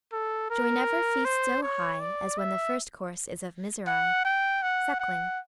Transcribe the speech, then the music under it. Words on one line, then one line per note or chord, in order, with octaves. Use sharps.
"Joy never feasts so high As when the first course is of misery." --SUCKLING.
A4
A#4
C5
C#5
D5
E5
F#5
G5
F#5
F#5